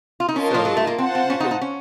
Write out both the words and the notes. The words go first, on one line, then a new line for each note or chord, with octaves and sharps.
so, you could
F4
D#4
C#4 F4 A#4 D#5 A5
F3
F#3
A3
A#3
C4 F4 C5 F#5 A5
C4
C#4
D#4
D#4
C#4